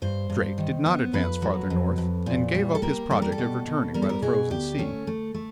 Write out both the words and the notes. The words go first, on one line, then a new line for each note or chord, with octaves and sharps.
Drake did not advance farther north and gave up his project of returning by the Frozen Sea.
G2 C5
G2
D#3
B3
F2 B4
F#3
F2
F2
A#2
G3
A4
A#3 A#4
G3 A4
A#4
A4
B2
B2
G3 A#4
A4
A#4
B2 G#4
D2 G4
A3 C#4
A3
A3